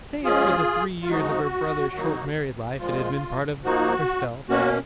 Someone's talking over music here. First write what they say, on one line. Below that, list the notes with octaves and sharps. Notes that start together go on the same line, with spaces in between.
Save for the three years of her brother's short married life, it had been part of herself.
F3 G#3 C#4 F4 G#4
F4
F3 G#3 D#4 F#4
D#3 F#3 A#3 D#4
A#2 F3 G#3 F4
F3 A#3 D#4 F#4
B2 A#3 C#4 F#4